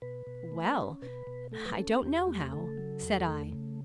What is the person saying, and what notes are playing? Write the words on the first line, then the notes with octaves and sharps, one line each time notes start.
"Well--I don't know how," said I.
B2 B4
B2
A3
C#4
B2 B4
B2
A3 A4
B4
C#4 A4
E2 G4
A3
C#3 A4
F#3
E2
A3
C#3